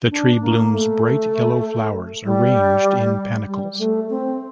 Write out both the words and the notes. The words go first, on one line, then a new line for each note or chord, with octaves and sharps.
The tree blooms bright yellow flowers arranged in panicles.
D4
A#3
A3
G3
G3
A3
C4